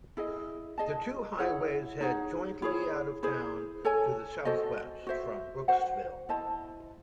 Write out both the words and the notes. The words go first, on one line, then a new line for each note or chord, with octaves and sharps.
The two highways head jointly out of town to the southwest from Brooksville.
E4 G#4 D#5
G#4 D#5 A5
E4 G#4 C#5 F#5
D#4 G#4 C#5 F#5
E4 G#4 C#5
E4 G#4 C5
A4 C#5 G#5
F#4 A4 C5 D#5
F#4 C5 E5
F#4 C5 F#5
E4 C5 D#5 A5